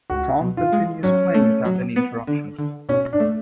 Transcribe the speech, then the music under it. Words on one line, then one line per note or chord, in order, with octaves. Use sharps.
Tom continues playing without any interruptions.
C#2 F#4
B2
F4
G#3
F#3 C#4
A3
F#3
B3
D3
D3
B2 C#4
D4
A3